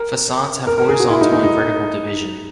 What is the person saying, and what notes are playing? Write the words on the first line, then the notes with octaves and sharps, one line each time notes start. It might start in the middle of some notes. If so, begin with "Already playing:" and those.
Facades have horizontal and vertical division.
Already playing: A#4
A#4
A#4
G#4
F#4
E4
D#4
D#4
D#4